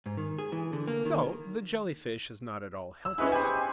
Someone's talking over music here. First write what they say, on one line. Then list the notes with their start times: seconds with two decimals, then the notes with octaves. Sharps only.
So the Jelly-fish is not at all helpless.
0.06 G#2
0.17 D#3
0.38 G#4
0.52 E3
0.73 D3
0.88 A#3
1.05 D#3
3.05 E6
3.18 G#3 B3 C#4 E4 F#4
3.32 G4 C5 G#5 B5